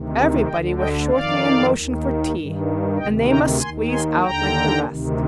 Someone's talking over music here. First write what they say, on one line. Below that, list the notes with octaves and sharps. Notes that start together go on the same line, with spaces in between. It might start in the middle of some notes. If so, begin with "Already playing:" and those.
Everybody was shortly in motion for tea, and they must squeeze out like the rest.
Already playing: D2 C3 D#3
D2 D3 D#5 G5
D#5 G5
F2 D#3 D5 F5
D#2 D#3
G2 D#3
D2 C3 D#3 D#5 G5
G5 A#5
D#2 D#3 G#5 C6
G#5 C6
D#2 D3 G5 A#5
D2 C3 D#3